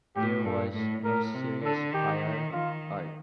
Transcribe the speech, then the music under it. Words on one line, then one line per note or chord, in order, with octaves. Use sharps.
There was no serious prior art.
A2 G4
G2 A4
A2
A2 A#4
C3
D3 A4
D#3 G4
D#3 F4